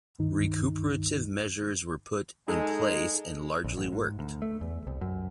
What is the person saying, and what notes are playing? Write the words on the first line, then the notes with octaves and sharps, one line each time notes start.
Recuperative measures were put in place and largely worked.
C#2 G2 D#3 D#4
G#3 D#4 G#4 A4
A#1
A1
G#2
D2
A3
E2
C2
F#2